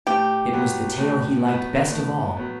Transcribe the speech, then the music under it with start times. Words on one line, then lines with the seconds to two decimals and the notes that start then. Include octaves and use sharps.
It was the tale he liked best of all.
0.07 A2 G4
0.53 F#3 B3
0.98 A2
1.45 F#3 B3
1.90 A2
2.37 F#3 B3